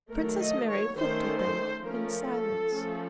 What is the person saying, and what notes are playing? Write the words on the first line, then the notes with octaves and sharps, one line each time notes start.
Princess Mary looked at them in silence.
D#3 F#3 A3 A#4
D#5
C#5
D#3 A3 C#4 C5
C5
F3 A3 C#4 A#4
A4
F3 A3 C#4